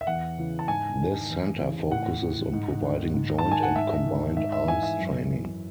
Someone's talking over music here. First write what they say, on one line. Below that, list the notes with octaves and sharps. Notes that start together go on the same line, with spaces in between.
This center focuses on providing joint and combined arms training.
E5
E2 F#5
C#3 E3
A5
G#2 G#5
D#3
E2
C#3 E3
A2 F#5
E3
G#2
D#3
G#2
A5
D#3
G#5
F#5
G#2 E5
D#3
G#2 E5
E5
E3 G#5
E5
F#2
E3